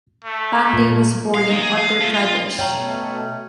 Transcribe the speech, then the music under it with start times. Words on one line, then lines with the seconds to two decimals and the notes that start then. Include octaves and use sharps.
Pandey was born in Uttar Pradesh.
0.24 A3
0.73 A#2
1.34 F5
1.50 A#3 D#4
1.62 G#4
1.77 F5
2.00 A3 F4
2.14 F4
2.59 B2 A3 C#4 C#5 G5 A#5